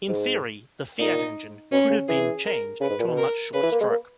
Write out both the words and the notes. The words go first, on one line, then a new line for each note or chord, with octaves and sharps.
In theory, the Fiat engine could have been changed to a much shorter stroke.
G#2
A#2 D#4
B2 C#4
C#3
E3 G#4
A#4
C#3 B4
G#2
A#2
B2
A#4
C#3 B4
E3
A#3
G#3
A#3